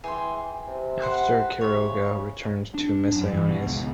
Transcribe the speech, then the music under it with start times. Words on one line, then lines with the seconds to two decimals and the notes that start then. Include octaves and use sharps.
After Quiroga returned to Misiones.
0.04 E3 G#4 G5 C6
0.67 C3
1.01 B4 C5 F#5
1.61 C3 C#5 B5
1.89 C#3
2.74 D4
3.12 F#2
3.32 E3
3.49 B2
3.66 C#2